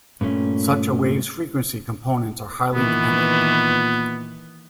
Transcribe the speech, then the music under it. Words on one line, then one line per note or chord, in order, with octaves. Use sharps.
Such a wave's frequency components are highly dependent.
G2 A#2 A3 C#4
A#2 D#3 E3 B3